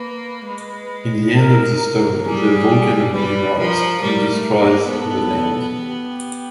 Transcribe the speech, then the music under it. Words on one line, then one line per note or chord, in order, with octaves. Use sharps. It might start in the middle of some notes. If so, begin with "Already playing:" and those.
In the end of the story the volcano erupts and destroys the land.
Already playing: A#3 B4
G#3
A#4
A#4
G3 G#4
G3 B4
F3 A#4
G3 A#4
A3
A#3
B3 A4
G4